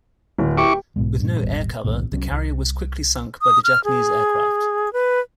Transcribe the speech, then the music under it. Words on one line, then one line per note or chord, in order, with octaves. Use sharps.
With no air cover, the carrier was quickly sunk by the Japanese aircraft.
D1
E4 G4 C#6 D6
B1 G#2 B2 G#3
G2 A#2
D#1 G#1 G3
B1 E2 A2 C3
C2 F#3 C#4
C2
D#6
F6
G#4
B4